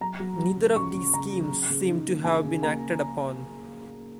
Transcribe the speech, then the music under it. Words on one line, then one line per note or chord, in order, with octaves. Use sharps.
Neither of these schemes seem to have been acted upon.
F#3 A#5
F#3
F#3
C#3
C#2 C#6
C#3
C#2 A#5
F#3
C#3
C#3
D#4
A#3
C#3 G#5
C#3
A#3 A#5